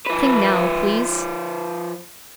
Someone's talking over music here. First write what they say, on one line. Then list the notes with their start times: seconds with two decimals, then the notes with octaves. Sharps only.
'Sing now, please.'
0.06 F3 B4